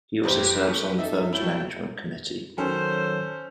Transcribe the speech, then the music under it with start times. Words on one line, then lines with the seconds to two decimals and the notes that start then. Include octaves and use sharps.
He also serves on the firm's Management Committee.
0.23 F#1 F2 G4 B4 C5
0.67 A3
0.99 D#4 A4 E5
1.33 F#3 E4 G5 A5
2.58 D#3 F#3 C#4 A4 C5